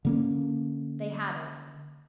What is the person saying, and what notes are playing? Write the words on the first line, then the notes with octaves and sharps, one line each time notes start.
They have it.
D3 A#3 C#4